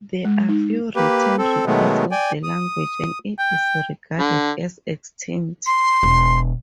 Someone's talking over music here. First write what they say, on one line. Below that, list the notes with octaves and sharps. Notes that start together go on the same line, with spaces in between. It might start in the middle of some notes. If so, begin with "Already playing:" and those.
There are few written records of the language, and it is regarded as extinct.
G#3
D#4
A#3 G4 B4
C4 A4
B2 D#3 F#3 G#3 A3 B3
D5 G5 G#5
D#6
G5
D3
C6
E1